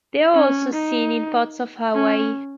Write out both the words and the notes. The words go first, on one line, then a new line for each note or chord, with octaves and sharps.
They are also seen in part of Hawaii.
C#4
D#4
C#4